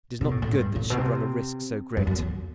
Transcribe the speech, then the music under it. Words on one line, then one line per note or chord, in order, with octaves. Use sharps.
It is not good that she run a risk so great.
B2
A2
A2
G2
A2
B2
C3
F#2
F#2
E2